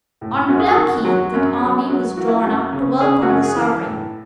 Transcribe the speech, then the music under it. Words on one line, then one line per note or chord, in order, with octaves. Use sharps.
On Blackheath the army was drawn up to welcome the sovereign.
A2
F#2 F#4
G#4
F#4
D#3
F#3
F#2
F#3
F#3
E3 F#4
E4
F#2 F#4
C#3
C#3 G#4
F#4
F#2
G#4
E3
A4
B4
A4
A2